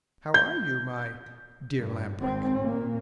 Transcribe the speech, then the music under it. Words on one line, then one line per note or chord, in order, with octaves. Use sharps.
"How are you, my dear Lamp-Wick?"
G6
G2
G#1 C4
A#2 A#3